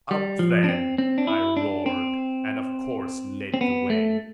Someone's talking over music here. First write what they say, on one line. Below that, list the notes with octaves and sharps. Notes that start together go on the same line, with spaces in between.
"Up, then!" I roared, and, of course, led the way.
G3
F3
D4
C4
C4
D4
E4
D4
C4
C4
B3
A3